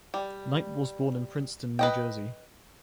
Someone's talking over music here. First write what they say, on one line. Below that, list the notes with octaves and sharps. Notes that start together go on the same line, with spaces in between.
Knight was born in Princeton, New Jersey.
G3
B4 D#5 G5